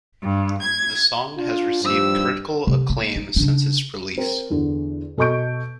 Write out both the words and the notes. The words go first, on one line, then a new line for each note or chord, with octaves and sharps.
The song has received critical acclaim since its release.
G2
G#6
D4 F4
G2 D#3 F3 G3 G4 E6
C3
A#3
D#4
C#3 D4
C4 A#4
E2 D3
B2 A4 D#5 C#6 G6 D7